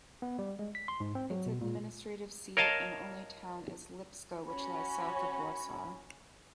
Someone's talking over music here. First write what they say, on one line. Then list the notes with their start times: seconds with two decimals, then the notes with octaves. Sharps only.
Its administrative seat and only town is Lipsko, which lies south of Warsaw.
0.22 B3
0.39 G3
0.59 G#3
0.75 B6
0.88 C6
1.00 G#2
1.15 C4
1.30 F#3
1.46 B2
1.61 A#2
2.57 A#4 C#5 D#5 F5 A5
4.46 C#4 F#4 B5